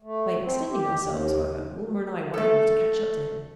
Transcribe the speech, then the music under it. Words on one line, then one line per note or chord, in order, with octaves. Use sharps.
By extending ourselves, however, Wilma and I were able to catch up to him.
A3
C4
G4
D#2
A3 A4